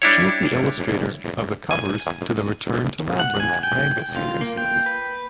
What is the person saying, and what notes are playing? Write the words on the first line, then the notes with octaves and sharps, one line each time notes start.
She is the illustrator of the covers to the "Return to Labyrinth" manga series.
G3 D4 E4 C#5
G#5
F#5
G#5
G5
F4
A#3
G5
B4